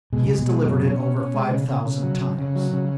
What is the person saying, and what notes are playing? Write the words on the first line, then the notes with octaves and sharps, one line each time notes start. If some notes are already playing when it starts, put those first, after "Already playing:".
He has delivered it over five thousand times.
B2 G#3
C#3 G#3
B2
G#3
F#2
C#4
C#4
C#4
G#3
C#3
C#3
C#3
F#3
C#3
C#3
F#3
C#3